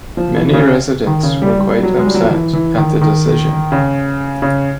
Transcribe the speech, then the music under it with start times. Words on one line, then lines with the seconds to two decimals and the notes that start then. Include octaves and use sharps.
Many residents were quite upset at the decision.
0.17 F3
0.35 E3
0.53 C#3
1.07 D#3
1.23 C#3
1.42 G3
1.59 G3
1.83 F#3
1.99 G#3
2.06 G3
2.14 F#3
2.22 F3
2.30 E3
2.53 E3
2.77 D#3
3.02 D#3
3.72 C#3
4.42 C#3